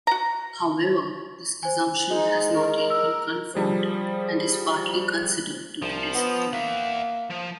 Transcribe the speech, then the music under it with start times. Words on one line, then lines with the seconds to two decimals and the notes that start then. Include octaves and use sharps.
However, this assumption has not yet been confirmed and is partly considered to be disproved.
0.07 F#4 A#5
1.63 C5 G#5
2.11 G#3 D#4
2.53 A#4
2.90 E6
3.54 F3 G3 G#4 C5
5.82 C2 F3
6.15 B3
6.53 A#3 E5 F#5
7.30 F3